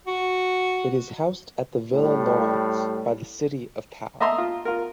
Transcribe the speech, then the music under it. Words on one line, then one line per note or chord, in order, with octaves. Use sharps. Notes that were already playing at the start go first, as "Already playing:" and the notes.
It is housed at the Villa Lawrance by the City of Pau.
F#4
A2 G3
D#5 E5 A5 A#5 C6 D#6
F4
F4 A#4